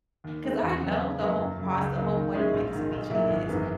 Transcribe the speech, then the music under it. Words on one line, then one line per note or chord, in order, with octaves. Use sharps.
'cause I know the whole proc the whole point of making ceviche is,
D#2
D#3 G#3 B3
E2
C#3 F#3 B3
C#3
F#3 A#3 E4 B4
F#2
C#3 F#3
C#2
C#3 F#3 A#3
D#3
G#3 C#4 E4 G#4
A#1
G#2 D#3
B1
A#2 F#3 A#3 E4
G#1
F#2 E3 B3